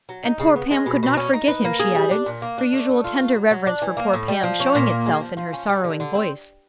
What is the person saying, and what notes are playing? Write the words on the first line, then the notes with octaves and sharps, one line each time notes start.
"And poor Pam could not forget him," she added, her usual tender reverence for poor Pam showing itself in her sorrowing voice.
F#3
D#4
C#3
B3
G#3
B2
B2
C#4
D#4
B4
A#3
G#4
G3
D4
A#2
A#3
D4
A3
A3
F4
A3
F#3
F#3
D4
E3
A#3
A2
G3
F3
C#4
A#2
A#3
G#3
F3
F3
C#4
G3
D3
D3
C4